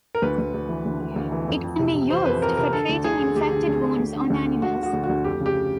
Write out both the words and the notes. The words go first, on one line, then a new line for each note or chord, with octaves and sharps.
It can be used for treating infected wounds on animals.
A#4
D2 B4
D2
D2
E3
D2
E3
D2
E3
F2
F2
C3
C3
E3 C5
F2 B4
F2 A#4
C3 A#4
D3 A4
D2
D2 G#4
D3
D2 G4
D3
D2
D2
D2
D3
D2
D3
D2 F#4
D3
F#4
D2
F#4
D2
F2 G4
C#3
G4